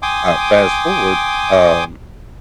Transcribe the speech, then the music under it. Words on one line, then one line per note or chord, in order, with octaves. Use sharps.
I fast forward, um,
G5 G#5 C6 D6 D#6